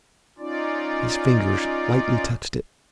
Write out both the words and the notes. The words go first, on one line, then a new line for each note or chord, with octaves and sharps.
His fingers lightly touched it.
C#4 D#4 F4 D5